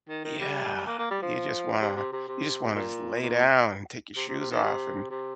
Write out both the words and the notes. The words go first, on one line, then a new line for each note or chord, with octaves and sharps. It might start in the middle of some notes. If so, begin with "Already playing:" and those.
Yeah, you just wanna you just wanna just lay down and take your shoes off and
D#3
D#3
G3
A#3
A#3
G3
F3
C3
C3
C3
C3
A#2
A#2
C3
C3
C3
D#3
C3
C3